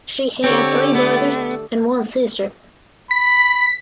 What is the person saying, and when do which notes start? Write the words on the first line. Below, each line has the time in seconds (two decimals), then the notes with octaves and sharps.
She had three brothers and one sister.
0.44 D3 C4 G4 A4 C#5 D5
0.95 A3 B3 A4
3.11 B5 B6